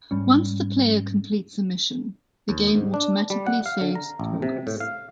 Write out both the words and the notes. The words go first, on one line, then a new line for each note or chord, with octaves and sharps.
Once the player completes a mission the game automatically saves progress.
G#2 G3 C#4
D#2
G#2
D4
G3
F#5
F5
D3
A#5
A1
C3
A2
F5